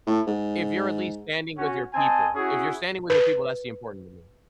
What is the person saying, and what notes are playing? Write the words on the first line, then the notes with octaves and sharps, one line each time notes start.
if you're at least standing with your people, if you're standing with your people, that's important to me,
A2
G#2
C#4 F#4
C4 D#5 G#5 A5
C#4 E4 F#4 G#4
B4